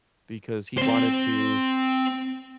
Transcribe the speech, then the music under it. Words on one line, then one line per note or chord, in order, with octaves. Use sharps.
because he wanted to
C4 C5